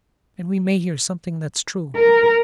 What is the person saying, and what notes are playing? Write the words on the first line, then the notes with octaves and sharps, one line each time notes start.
And we may hear something that's true.
A#4